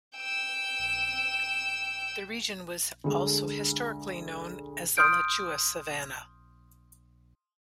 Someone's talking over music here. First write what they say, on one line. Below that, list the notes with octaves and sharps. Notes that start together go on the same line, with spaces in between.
The region was also historically known as the Alachua Savannah.
G5 E6
D2 G#3
C6 D#6 F6 G6 D7